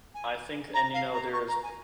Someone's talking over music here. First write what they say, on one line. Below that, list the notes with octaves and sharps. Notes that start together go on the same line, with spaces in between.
I think and you know, there's
G#5
A#5
F5
A#5
C#6
A#5
G#5